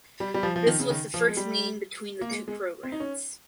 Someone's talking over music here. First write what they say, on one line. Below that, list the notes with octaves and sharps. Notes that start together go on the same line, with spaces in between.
This was the first meeting between the two programs.
G3
G3
F3
F3
D#3
C#3
D#3
F3
G#3
G3
A#3
G#3
G#3
C4
D#4
C#4